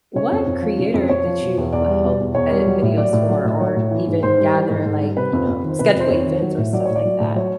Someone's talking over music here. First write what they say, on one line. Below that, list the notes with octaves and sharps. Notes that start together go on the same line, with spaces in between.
what creator did you help edit videos for, or, even, gather, like, you know, schedule events or stuff like that?
C#3 C#5
F2
F2
F3
C#3
F2
F2 C#5
F3
B2
E2
E2 D5
G3
B2
E2
E2 C#5
G3
F#3
A2
F#3 D5
A2
F#3
A2
F#3 C#5
A2
E3
G#2
G#2 C5
G3
E3
G#2
G#2
G3
C3 B4
F2
F2
D#3
C5
C3 B4
B4
F2
C5
F2 C#5
D#3
F#3
A2
F#3 D5
A2 C#5
D5
F#3
A2
F#3 C#5